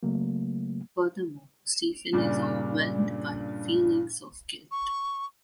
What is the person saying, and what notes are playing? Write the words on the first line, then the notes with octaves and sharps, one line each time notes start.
Furthermore, Stephen is overwhelmed by feelings of guilt.
C#3 F#3 A3 A#3
G2 A#2 C#3 D4
C#6